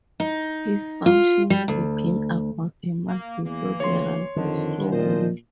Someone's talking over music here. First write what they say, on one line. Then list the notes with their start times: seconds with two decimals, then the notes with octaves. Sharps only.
His functions begin about a month before the rice is sown.
0.20 D#4
1.06 F4
1.50 G3
1.68 D2
3.08 A#3
3.44 E2 E3 A#3
3.80 D2 C#5 C6
4.36 F2 D3 D#3 D4
4.92 A#2 F3 C5 D#5